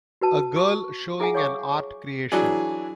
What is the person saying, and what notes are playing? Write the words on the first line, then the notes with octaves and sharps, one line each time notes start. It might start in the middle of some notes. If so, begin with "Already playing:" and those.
A girl showing an art creation.
F#4 B4 A5
C#6
E4 G#4 E5 F#5 G#5
C#5 F5 C#6 D6
E3 F#3 D4 G#4